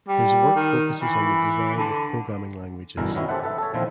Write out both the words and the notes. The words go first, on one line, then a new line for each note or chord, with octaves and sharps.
His work focuses on the design of programming languages.
G3
D#3
E3
D3
G1 B2 D3 E3 E4 A#4
D#3 F#3 B3 C#4 E4
G4 A4 C5 E5 F#5
A4 B4 E5
A4 C#5
A#2 D#3 F3 C4 E4